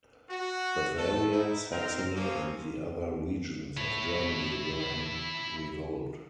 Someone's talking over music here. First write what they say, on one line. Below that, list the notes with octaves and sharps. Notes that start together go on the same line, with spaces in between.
Bavaria, Saxony, and the other regions of Germany were in revolt.
F#4
A3 A4
D#4 E4
C4 D#4 A#4 G5
F3 A#3 C4 C#4
E4 C#5